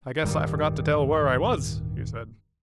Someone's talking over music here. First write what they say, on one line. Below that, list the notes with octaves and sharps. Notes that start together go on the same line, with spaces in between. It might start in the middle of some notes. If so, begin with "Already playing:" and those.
"I guess I forgot to tell where I was," he said.
D1 G2 D#3 G3